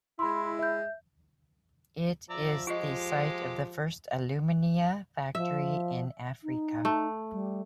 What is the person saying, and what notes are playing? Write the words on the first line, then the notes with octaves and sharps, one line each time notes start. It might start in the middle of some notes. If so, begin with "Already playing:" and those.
It is the site of the first alumina factory in Africa.
G#3 E4 B5 C6
E5 G6
F3 D5 E5 A#5
G#3 F4 G4 D#5
F3 E5
D#4
A3
G3